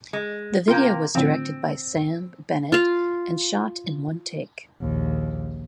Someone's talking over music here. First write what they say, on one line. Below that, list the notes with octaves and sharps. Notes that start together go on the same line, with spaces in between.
The video was directed by Sam Bennett and shot in one take.
G#3
C3 A#3 F4 G5
A2 D3 F3 C4
F4 F5
A#1 D#2